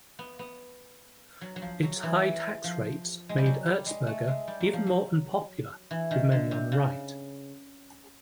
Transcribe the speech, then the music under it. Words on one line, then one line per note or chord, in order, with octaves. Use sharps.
Its high tax rates made Erzberger even more unpopular with many on the right.
B3
B3
F#3
F#3
F3
F#3
E3
F3
G#3
G3
F#3
G3
G#3
A3
G#3
G3
F#3
F3
F#3
E3
D#3
D3
C3
C#3